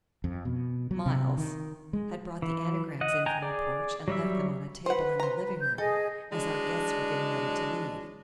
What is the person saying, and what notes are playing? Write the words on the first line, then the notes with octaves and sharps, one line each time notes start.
Miles--had brought the anagrams in from the porch and left them on a table in the living room, as our guests were getting ready to leave.
F2
B2
F#3
C3
D#3
G#3
E3
D#5 F#5
G5 G#5 A#5
G#4 D5
F#3 G3 E5
B4 C5 F#5
C5 A#5
G6
G#4 A4 D#5 G#5
E3 F#3 G#3 D4